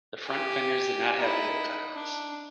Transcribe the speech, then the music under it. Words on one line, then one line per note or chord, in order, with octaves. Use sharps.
The front fenders did not have wheel cutouts.
G4 G#5
D#4 E4
D4